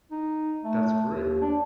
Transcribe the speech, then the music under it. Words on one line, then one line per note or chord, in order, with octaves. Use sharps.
That's great.
D#4
A3
D#2
D4